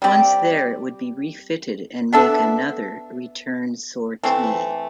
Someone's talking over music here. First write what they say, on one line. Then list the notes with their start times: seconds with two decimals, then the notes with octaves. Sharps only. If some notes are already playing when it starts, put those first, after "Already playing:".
Once there, it would be refitted and make another return sortie.
0.02 G3 C4 G4 D5
2.13 B3 D4 A4 E5
4.23 E3 A3 C4